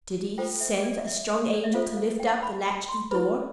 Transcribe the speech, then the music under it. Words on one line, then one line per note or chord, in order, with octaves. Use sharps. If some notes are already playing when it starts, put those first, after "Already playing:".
Did he send a strong angel to lift up the latch of the door?
F4 A4 C5 G5
E5
D5
E5
D5
E5
F4 A4 C5 F5
F5
G5
B5
B5
C6
E4 B4 B5